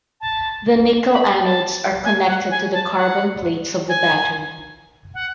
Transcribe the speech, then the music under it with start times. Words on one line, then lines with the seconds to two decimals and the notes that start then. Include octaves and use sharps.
The nickel anodes are connected to the carbon plates of the battery.
0.21 A5
1.13 B5
1.28 B5
1.43 A5
2.05 G#5
2.28 F#5
2.51 G#5
2.73 A5
2.96 F#5
3.88 G#5
5.14 F#5